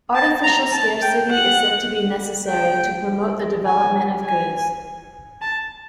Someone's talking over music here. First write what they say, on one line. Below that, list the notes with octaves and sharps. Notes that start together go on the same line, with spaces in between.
Artificial scarcity is said to be necessary to promote the development of goods.
A5
A#5
A5
G5
F#5
G5
G#5
G#5
A5